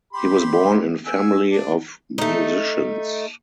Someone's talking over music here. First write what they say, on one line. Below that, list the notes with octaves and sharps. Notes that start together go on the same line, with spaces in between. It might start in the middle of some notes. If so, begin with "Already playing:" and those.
He was born in family of musicians.
G4 B5 C6
G#5 E6
D4
A3 D#4